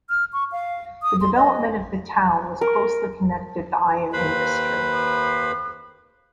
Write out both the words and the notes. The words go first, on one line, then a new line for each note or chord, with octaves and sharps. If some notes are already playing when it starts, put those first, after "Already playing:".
The development of the town was closely connected the iron industry.
F6
C#6
F5
D#6
C6
D#5
A#4
D#2 B4 C5 B5